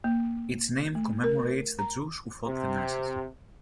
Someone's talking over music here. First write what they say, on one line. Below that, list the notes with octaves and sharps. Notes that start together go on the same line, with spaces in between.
Its name commemorates the Jews who fought the Nazis.
A#3
A3
A#4
A#5
C3